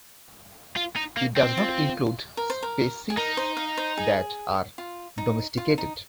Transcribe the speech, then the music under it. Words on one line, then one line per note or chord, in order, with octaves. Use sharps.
It does not include species that are domesticated.
F4
D#4
A#3
C4
F4
A#4
C5
A#4
G#4
D#4 A#4
C5
F5
C5
G#4
F4
D#4
F4
D#4